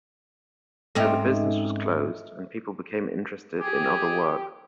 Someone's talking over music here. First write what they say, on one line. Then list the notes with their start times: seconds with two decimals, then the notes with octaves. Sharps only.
So the business was closed and people became interested in other work.
0.95 G#2 C4 C#4 A4 D#5 E5
3.60 G4 G#4